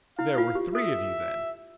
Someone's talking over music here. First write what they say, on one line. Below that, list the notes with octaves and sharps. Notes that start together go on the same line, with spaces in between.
"There were three of you, then."
E4 F5
F4
G4
A4 E5